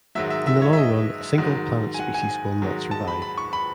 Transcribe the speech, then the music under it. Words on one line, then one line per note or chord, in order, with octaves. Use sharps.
In the long run a single-planet species will not survive...
G#2 D#3 F#3 E5
E5
E5
C#5
E5
D#5
G#2 D#3 F#3
G#5
F#5
G#5
G#2 D#3 F#3
A5
B5
B5
C#6
B5